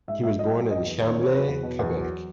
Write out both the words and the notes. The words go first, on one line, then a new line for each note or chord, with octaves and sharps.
He was born in Chambly, Quebec.
G#2 E5
G#2 E5
F#3 D#5
F#3
F#3 D#5
E2
D#3 C#5
C#5
E2
C#5
F#3 B4
E2
B2
E2
F#3